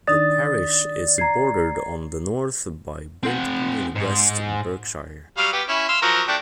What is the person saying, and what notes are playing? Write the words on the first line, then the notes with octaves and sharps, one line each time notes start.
The parish is bordered on the north by Brimpton in West Berkshire.
D#3 D4 D#4 D5 D#6 A6
A#5 G#6 C7
C4 F#5
G#2
F#3 G3 F5
B3 G4
C#4 E4
F5 C6 E6
F3 F#3 A#4
A3 D4 G5